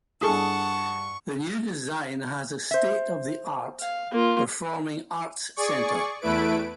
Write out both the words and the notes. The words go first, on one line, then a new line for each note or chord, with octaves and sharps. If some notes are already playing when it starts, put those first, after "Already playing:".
The new design has a state-of-the-art performing arts center.
G2 E4 G#4 A4 F#5 A5 C#6 D#6
C5 E5
F5
A#3 F4
G#4 D5 C#6
E2 A3 E4 B4 D7